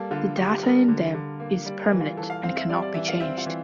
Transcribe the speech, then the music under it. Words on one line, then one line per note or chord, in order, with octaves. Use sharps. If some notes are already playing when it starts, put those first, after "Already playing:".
The data in them is permanent and cannot be changed.
Already playing: G3 A#3 A4
D3 F4
D3 G4
G3 A#4
D3
D3
A#3
G3 D5
A#4
E3
F4
E3 A4
F5
C4 F5
E5
G3 D5
D5
E3 E5
F5
C4 E5
F4
E3